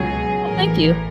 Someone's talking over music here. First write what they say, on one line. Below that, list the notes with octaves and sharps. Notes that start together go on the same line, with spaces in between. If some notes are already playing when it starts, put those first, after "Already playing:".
Oh, thank you.
Already playing: C#2 B2 F#3 G#4
A1 A2 E3 A#4